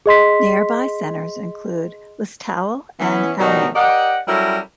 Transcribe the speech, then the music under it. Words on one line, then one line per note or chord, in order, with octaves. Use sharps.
Nearby centres include Listowel and Elmira.
G#4 D#5 C6 B6
E3 B3 C#4
B2 D#3 F#3 G3 D#4
G4 A#4 D5 D#5 F#5
F#3 G3 C#4 E4 A4 A#4